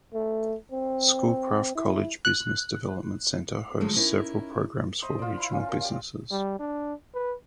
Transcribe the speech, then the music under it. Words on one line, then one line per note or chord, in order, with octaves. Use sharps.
Schoolcraft College's Business Development Center hosts several programs for regional businesses.
A3
C4
E4
F#6
D3 F3 F#3 G#3 A3
C#4 D#4 E4 A#4
C5 D#5 E5 B5
F4 D5
E4 F5 C6
C#4 F4
A#4
G4 D5
G3
D4
B4